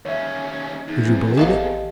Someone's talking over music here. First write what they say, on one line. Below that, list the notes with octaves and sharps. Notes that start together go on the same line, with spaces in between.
Would you believe it?
D#2 C#4 C#5 E5
E2 D#4
F3 C4 E4
A1 A#3 G4 A4 D#5 F5